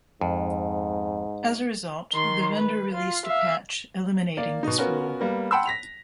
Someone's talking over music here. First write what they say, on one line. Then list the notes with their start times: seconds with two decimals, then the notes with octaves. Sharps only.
As a result, the vendor released a patch eliminating this rule.
0.21 F2 G#2
2.13 D#3 C6
2.56 B4
2.93 F4
3.27 E5 F5
4.37 A#3 D5
4.63 B2 D#4
4.78 B3 C#4 F4 F#4 A#4
5.20 G3 A#3 B3
5.51 F#5 G5 A5 B5 C6 E6
5.66 A#6 B6 F7